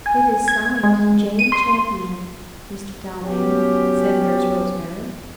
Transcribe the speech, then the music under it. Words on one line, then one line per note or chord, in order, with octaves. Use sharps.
"It is signed 'Jane Champion,' Mr. Dalmain," said Nurse Rosemary.
G#5
G#6
G#3
D#7
C6
F#3 B3 C#4 G4